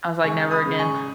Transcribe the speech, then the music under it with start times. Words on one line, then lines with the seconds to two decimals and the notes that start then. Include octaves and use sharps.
I was like, "Never again."
0.24 C#2 G#5 C#6
0.51 B5 D#6
0.65 C#3
0.79 G#5 C#6